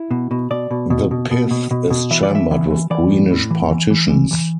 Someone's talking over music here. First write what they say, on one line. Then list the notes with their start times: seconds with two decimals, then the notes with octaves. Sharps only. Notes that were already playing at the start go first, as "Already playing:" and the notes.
The pith is chambered with greenish partitions.
Already playing: E4
0.11 B2
0.31 B2
0.50 B2 D5
0.71 B2
0.90 B2
1.11 B2
1.31 B2
1.51 B2
1.71 B2
1.90 B2
2.11 E3 E5
2.23 D5
2.31 E3 E5
2.51 E3
2.70 E3
2.91 E3 D5
3.11 A2
3.30 A2
3.51 E3
3.71 E3
3.90 E3
4.10 E3
4.31 E3